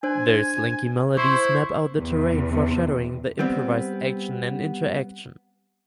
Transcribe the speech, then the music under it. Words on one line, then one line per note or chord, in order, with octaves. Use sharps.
The slinky melodies map out the terrain foreshadowing the improvised action and interaction.
D4 C5 G#5
E4 C5 C#6
E2 C3
G3 B3 C4